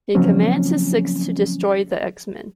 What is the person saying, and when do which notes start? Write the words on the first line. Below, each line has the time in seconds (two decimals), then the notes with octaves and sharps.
He commands his Six to destroy the X-Men.
0.15 C#3 F3 F#3 A#3 C4 C#4